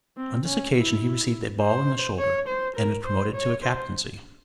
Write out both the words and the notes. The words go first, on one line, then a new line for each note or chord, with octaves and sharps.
On this occasion he received a ball in the shoulder, and was promoted to a captaincy.
C4
C#4
E4
C5
C#5
C5
A#4
C5
C#5
C5